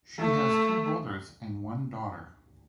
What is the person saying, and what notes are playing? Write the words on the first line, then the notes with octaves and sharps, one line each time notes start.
She has two brothers and one daughter.
A3